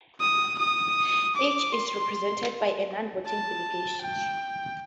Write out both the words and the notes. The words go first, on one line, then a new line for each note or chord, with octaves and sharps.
Each is represented by a non-voting delegate.
D#6
D#6
D6
C6
A5
G5